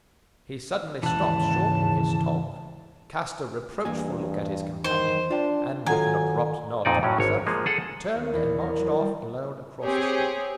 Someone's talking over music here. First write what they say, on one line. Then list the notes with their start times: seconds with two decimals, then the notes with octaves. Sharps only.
He suddenly stopped short in his talk, cast a reproachful look at his companion, and, with an abrupt nod to myself, turned and marched off alone across the street.
1.03 D#2 G#2 C#3 E3 F#5 A5
3.85 E2 G2 A#3 G#5
4.84 D#3 C5
5.30 D4 F4 G5
5.86 D#3 F#3 F4 A4 F#5 G#5 A#5
6.85 F2 A#2 D#4 D5
7.03 A2 F#3 C#4
7.18 G#1 C#5
7.47 F3 G#3 A#3
7.66 G#4 A4 F#5
8.15 D#2
8.34 E2
8.60 A#4
8.79 F#3
9.00 G3
9.83 C4 G4 G#4 C#5